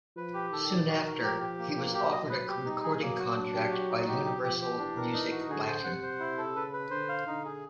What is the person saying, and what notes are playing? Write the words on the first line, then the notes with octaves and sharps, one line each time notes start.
Soon after, he was offered a recording contract by Universal Music Latin.
F3 B4
G4
D#3 A4
D5
F#4
A#4
F3 G4
G4
A#3
A#3
F#3 G4
D#5
B4
G4
G3 D#4
G#4
F#3 A#3
F#4
D4
G4
F#4
D#4
F#3 G4
G4
F3 G4
G4
E3 D4
A#4
D#4
F#4
D3 G#4
C5
C3 F#5
C5
E4
A4
C#3 B4
B4
D3 C5
F5
D3 D#4
G#4